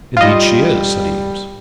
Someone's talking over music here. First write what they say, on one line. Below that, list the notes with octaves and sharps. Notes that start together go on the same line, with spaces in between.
"Indeed she is," said Eames.
G3 F4 D#5